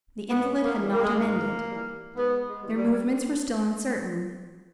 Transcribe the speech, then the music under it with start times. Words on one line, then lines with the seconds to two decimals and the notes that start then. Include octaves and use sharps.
The invalid had not amended; their movements were still uncertain.
0.30 G#2 B3
0.62 A#3
0.77 E3 G3
0.93 A#3
1.03 G#3
1.14 A#3
1.23 G#2
1.70 E3 G3
2.15 G#2 B3
2.46 G#3
2.62 E3 G3
2.77 G3